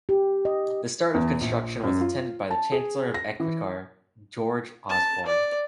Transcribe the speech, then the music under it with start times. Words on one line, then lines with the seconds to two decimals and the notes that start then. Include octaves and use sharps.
The start of construction was attended by the Chancellor of the Exchequer, George Osborne.
0.09 G4
0.45 D#5
1.14 E2
1.41 A#1
1.84 F#2
2.01 F4
2.51 A5
2.72 G#4
3.14 A#6
3.40 E3
4.90 A5
5.26 D5